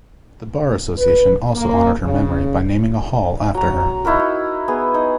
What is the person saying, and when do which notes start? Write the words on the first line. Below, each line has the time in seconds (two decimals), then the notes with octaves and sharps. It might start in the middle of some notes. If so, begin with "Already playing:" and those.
The Bar Association also honored her memory by naming a Hall after her.
0.97 B4
1.55 A#3
2.03 C#3
3.54 F#3 A#5
4.05 D#4 E4 F#4 A#4
4.68 B3 G#4
4.94 D#4